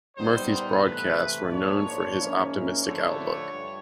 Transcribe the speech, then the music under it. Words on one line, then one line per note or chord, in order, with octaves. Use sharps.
Murphy's broadcasts were known for his optimistic outlook.
A#2 G3 B3 D#4 C5
C3 E3 A3 B4
G#2 F3 A#3 D4 C#5
G#2 F3 A#3 C#4 E4
D3 F3 A3 C#5
G2